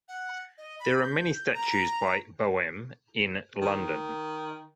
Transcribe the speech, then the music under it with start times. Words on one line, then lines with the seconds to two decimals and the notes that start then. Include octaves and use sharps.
There are many statues by Boehm in London.
0.08 F#5
0.58 D#5
0.80 B5
1.03 G6
1.54 A#5
3.62 D#3